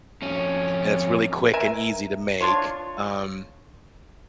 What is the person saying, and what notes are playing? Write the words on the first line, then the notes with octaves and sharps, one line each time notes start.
and it's really quick and easy to make. Um,
F2 C#4
A#4 E5 G#5
D4 F4 C#5